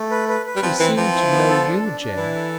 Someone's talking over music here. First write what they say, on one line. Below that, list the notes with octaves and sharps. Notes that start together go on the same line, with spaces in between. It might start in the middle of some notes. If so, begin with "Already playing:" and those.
He seemed to know you, Jane.
Already playing: A3
B4
B4
B4
G3
F3 C4
E3 C4
F3 C4
E4
B3
A4
D4
D4
D4
E3 E4
A4